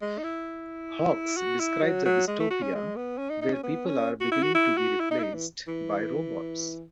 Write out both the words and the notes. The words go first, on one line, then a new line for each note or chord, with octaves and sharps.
Hawks describes a dystopia where people are beginning to be replaced by robots.
G#3
D#4
E4
F#4
E4
F#3
F#3
G#3
A3
F#4
C#4
G#3
B3
C#4
D#4
D#4
C#4
B3
C#4
F#4
E4
F#4
E4
F#4
E4
D#4
E4
D#4
E3
E3